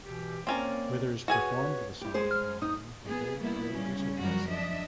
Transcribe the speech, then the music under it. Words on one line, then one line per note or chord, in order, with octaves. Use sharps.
Withers performed the song on "The Old Grey Whistle Test".
B2 E3 G4
A#3 C4 C#4 A#4 D5
F#4 G#4 B4 C#5 G#5
E4 G4
G#3 G#4 C5
F6
D#4 D#6
B3 G#4
G3 A#3 B3 E4
C#3 G3 C#4
F#2 F3 G3 F#4 A#4
D4 D#5 E5